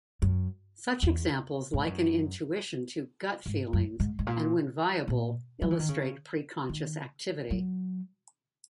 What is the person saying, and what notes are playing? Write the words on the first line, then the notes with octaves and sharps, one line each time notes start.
Such examples liken intuition to "gut feelings" and when viable illustrate preconscious activity.
F#2
E2
G#2
F#2
G#2
F#2
G#2
G#2
A#2
A#2
F#3
E3
D#3
C#3
D#3
F#3